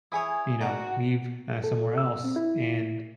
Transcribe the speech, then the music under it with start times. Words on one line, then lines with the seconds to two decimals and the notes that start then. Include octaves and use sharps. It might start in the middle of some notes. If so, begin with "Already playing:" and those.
you know, leave, uh, somewhere else, and
0.12 E4 G#4 C#5 G#5 D#6
0.61 D4 F#4 A#4
1.64 A4
1.98 E6
2.24 C4
2.36 E4